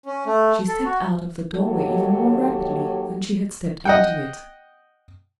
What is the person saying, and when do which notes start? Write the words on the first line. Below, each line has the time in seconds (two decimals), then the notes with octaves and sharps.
She stepped out of the doorway even more rapidly than she had stepped into it.
0.06 C#4
0.26 A3
0.68 A4
0.85 F#4
1.55 D#2 D#3 F#3 G4 A4 C#5
3.85 D#5 F#5 G5